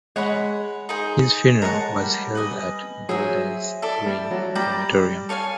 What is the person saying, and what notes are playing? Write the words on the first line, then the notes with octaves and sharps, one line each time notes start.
His funeral was held at Golders Green Crematorium.
G#3 C#5 F#5 B5
D#4 G#4 C5
G#3 A#4 C#5 F#5 A5
G3
B4 D#5 G#5
F#3 G#4 C5 E5 G#5
E4 A4 D5
G3
F#3
G3 D5 G5 A#5
A4 C#5 F5 G#5